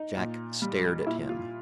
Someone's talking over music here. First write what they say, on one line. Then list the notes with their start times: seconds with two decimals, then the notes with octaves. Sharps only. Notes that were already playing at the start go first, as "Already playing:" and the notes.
Jack stared at him.
Already playing: D#4
0.17 A#2
0.62 G3
1.07 A#2 E4
1.29 F4